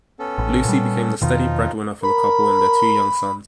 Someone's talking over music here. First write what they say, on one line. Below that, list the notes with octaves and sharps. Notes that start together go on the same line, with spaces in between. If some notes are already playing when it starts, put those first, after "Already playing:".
Lucy became the steady breadwinner for the couple and their two young sons.
B3 C#4 A4
A1
A#2 G3
E2 B2 D#3 F3 D#4 F4
A#4 B5